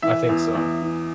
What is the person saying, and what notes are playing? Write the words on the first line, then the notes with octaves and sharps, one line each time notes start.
I think so.
E3 E5
E2
E2
E3